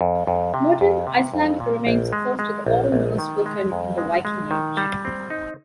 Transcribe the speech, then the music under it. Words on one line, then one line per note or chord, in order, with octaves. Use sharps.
Modern Icelandic remains close to the Old Norse spoken in the Viking Age.
F2
F2
C3
F2
C3
F2
A#2
A#1
G#3
G#3
A#1
A#1
D#3
G#3
F2
G#3
G#3
D#3
G3
C4
D#4